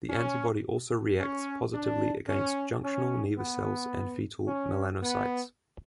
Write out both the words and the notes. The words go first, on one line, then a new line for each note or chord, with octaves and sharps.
The antibody also reacts positively against junctional nevus cells and fetal melanocytes.
C#4
C#4
D4
C#4
C#4
B3
C#4
B3